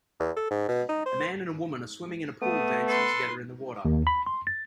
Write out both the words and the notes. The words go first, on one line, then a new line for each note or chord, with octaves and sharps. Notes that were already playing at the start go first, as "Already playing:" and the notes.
A man and a woman are swimming in a pool dancing together in the water.
E2
A4
G#2
B2
D#4
C5
A3 B3 D#6
A4 B4 C6
D#2
B5
C6
A6